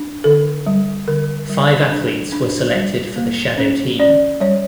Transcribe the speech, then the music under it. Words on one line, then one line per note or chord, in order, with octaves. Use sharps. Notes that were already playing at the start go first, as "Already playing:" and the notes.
Five athletes were selected for the shadow team.
Already playing: D4
D3 A4
G3
D3 A#4
G3
D4
D4
G3
A#3
C#4
C#4 D5
G3 C#5